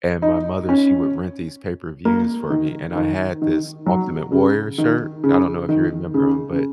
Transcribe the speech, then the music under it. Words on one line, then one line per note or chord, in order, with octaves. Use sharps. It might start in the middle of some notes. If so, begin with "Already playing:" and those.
and my mother, she would rent these pay-per-views for me and I had this Ultimate Warrior shirt. I don't know if you remember 'em, but
D#4
C#4
A#3
D#3
D#3
D#3
F#3
C#3
D#3
C#3
D#3
C#3
C#3